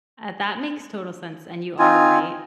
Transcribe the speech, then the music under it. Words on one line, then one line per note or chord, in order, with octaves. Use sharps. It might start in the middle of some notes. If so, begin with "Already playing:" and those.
Ah, that makes total sense. And you are right
C4 D#4 F4 G#5